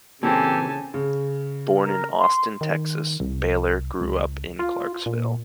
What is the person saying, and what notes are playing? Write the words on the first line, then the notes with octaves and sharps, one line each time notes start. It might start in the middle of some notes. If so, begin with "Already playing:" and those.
Born in Austin, Texas, Baylor grew up in Clarksville.
A#2 C#3 E3 C4 G4 A4 G#5 A5
C#3
A#4
C6
D#3
C2
C#2
F4
A#2